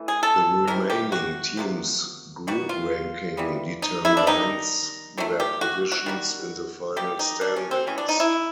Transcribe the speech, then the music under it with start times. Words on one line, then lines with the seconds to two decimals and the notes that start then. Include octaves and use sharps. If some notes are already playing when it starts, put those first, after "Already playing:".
The remaining teams' group ranking determines their positions in the final standings.
Already playing: E3 A3
0.08 G#4
0.23 A4
0.67 C3 E3 G#3 A#4
0.90 G4
1.12 F#4
1.57 C3 F3 A#3
2.47 B2 G3 A#3 F#4
2.69 F4
3.37 E3 G3 B3
3.82 D#4
4.05 E4
4.17 D4
4.27 D#3 G3 A#3 D#4
5.17 D#3 F#3 A3
5.40 G4
5.61 F#4
5.92 F#4
6.06 D#3 G3 A#3
6.97 B2 G3 A#3 G4
7.19 D#4
7.41 D4
7.56 C#4
7.71 C4
7.87 C#3 E3 G#3 B3 C#4
7.98 D4
8.09 D#4
8.20 E4